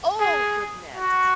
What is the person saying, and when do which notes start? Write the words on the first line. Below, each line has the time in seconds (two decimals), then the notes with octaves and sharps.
Oh, goodness!
0.20 G#4
0.96 F#4